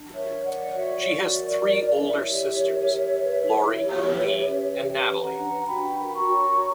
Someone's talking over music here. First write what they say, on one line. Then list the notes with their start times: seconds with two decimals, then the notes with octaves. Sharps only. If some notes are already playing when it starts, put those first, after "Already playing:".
She has three older sisters; Lori, Lee, and Natalie.
Already playing: D4
0.14 A#4 C#5 E5
0.44 C#5 D5 F#5
0.75 F#4 C#5 E5
1.06 F#4 D5
1.37 A#4
1.67 C#5
1.98 E4 C#5 E5
2.29 G4
2.60 A#4
2.91 G4
3.21 B4
3.52 E4
3.83 G4
4.13 B4
4.45 C#4
4.75 G4
5.06 B4
5.21 F#5 A#5
5.37 D4
5.67 F#4 G5 B5
5.98 A#4
6.14 A#5 C#6
6.29 C#5